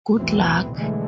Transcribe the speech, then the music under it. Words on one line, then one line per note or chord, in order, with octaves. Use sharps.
Good luck?
B1 E2 A2 E3 F#3 C4
B2 D3 E3 G#3 A3